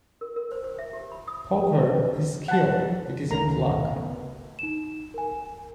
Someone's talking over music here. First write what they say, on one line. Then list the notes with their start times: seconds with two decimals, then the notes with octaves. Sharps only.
Poker is skill, it isn't luck.
0.21 A#4
0.36 A#4
0.52 C5
0.64 C5
0.79 E5
0.93 G4
1.12 B5
1.28 D#6
2.48 F#5 A5
3.31 D2 D#3 A3 A#4 A#5
3.93 C#3 B3
4.59 D#4 E7
5.14 A#4 G#5